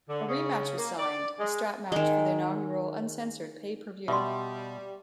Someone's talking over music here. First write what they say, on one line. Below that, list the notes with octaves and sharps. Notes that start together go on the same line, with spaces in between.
A rematch was signed, a strap match for the inaugural Uncensored pay-per-view.
D3
C#3
A#3
D5
G#3
D#3 G#3
B2 G3 E5 C6